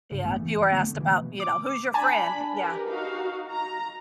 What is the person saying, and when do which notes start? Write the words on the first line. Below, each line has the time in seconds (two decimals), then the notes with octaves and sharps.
Yeah, if you were asked about, you know, "Who's your friend?" Yeah.
0.12 G2 C#3
0.23 A1 A3 B3
0.40 E3
0.71 D3 E3 A3 B3
0.98 B2 E3 A#3
1.40 D6
1.94 D4 G#5 A5 B5
2.54 G4 A#4 B4
2.87 D#4 F#4 F5
3.52 A#5